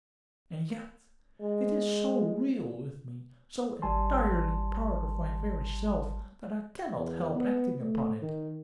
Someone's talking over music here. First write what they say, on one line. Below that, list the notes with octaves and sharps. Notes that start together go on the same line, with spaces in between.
And yet it is so real with me, so entirely part of my very self, that I cannot help acting upon it.
G#3
G#1 G3 G#5 A5 C6
E2
B3
A3
D#3